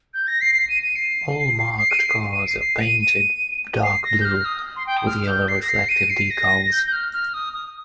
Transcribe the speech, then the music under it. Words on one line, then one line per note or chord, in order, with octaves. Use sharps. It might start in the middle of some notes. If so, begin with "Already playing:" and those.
All marked cars are painted dark blue with yellow reflective decals.
G6
A#6
C7
C7
D#7
D#7
C7
C7
D#7
C7
D#7
C7
C7
D#7
D#7
C7
A#6
G6
F6
D#6
C6
G5
D#6
F6
G6
C7
A#6
C7
D#7
C7
A#6
G6
G6
F6
F6
D#6
D#6